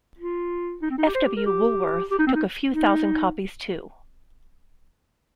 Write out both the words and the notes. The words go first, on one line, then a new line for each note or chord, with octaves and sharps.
F. W. Woolworth took a few thousand copies too.
F4
D#4
C4
D#4
G4
C5
G4
A#4
G4
G4
D#4
C4
D#4
D#4